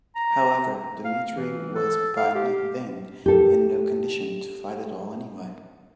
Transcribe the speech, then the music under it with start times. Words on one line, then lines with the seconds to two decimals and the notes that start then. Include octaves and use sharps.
However, Dmitri was by then in no condition to fight at all anyway.
0.16 A#5
1.05 F5
1.32 E3
1.75 A4
2.17 F5
2.35 G4
3.26 G4 A4